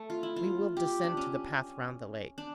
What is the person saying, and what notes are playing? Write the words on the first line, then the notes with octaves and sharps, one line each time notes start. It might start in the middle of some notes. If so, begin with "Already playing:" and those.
"We will descend to the path round the lake."
Already playing: A3
F4
E4
F4
G4
D4
C#4
D4